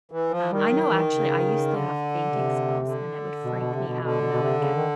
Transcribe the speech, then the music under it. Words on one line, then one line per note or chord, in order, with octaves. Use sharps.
Um, I know, actually, I used to have fainting spells, and it would freak me out, and I would get,
E3
F3
D#3 G3
F#3
E3
C#3
D3
C3
D3
B2
B2
C3
B2
B2 D3
B2
B2
C3
C#3
D#3